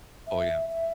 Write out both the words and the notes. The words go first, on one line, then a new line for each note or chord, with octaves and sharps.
Oh yeah.
E5
E5